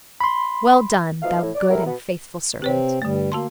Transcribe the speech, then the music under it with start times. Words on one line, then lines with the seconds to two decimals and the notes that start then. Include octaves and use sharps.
Well done, thou good and faithful servant!
0.20 B5 C6
1.23 B2 F3 A3 D#4 F5
1.43 A2
1.55 D5
1.70 A2 G3 B3 E4 A#4
1.86 B2 B3
2.62 C3 C4 G4 B4 C#5
3.02 G2 D3 G3 A3
3.32 A#3 F#4 A5 C6